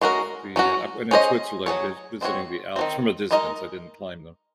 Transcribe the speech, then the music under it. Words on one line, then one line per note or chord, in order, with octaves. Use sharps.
uh, the uh I went in Switzerland vis visiting the Alps, from a distance, I didn't climb them,
G#3 C#4 F#4 A#4
F#3 C#4 F#4
C#4 G#4 C5 D#5
F#3 C#4 G#4 C#5
G#3 C4 F#4 C#5
D#3 F#3 C4
G#3 D#4 A#4 D#5